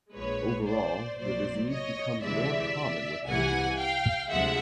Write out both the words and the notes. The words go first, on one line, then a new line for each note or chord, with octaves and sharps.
Overall the disease becomes more common with age.
A#1 A#2 F3 G#3 B4 C#5
C5 D5
B1 A#2 F#3 C5 D5
C#5 D#5
D2 C3 E3 G#3 D5 E5
C2 C3 E3 G3 F#5 G#5
F5 G5
D2 C3 F3 G#3 E5 F#5